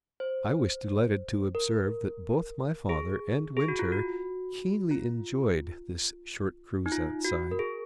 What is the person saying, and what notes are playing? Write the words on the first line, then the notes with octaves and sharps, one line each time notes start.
I was delighted to observe that both my father and Winter keenly enjoyed this short cruise outside.
C5
A#4
G#4
G#4
F#4
F4
F#4
F4
D#4
F4
F#4
A#4
G#4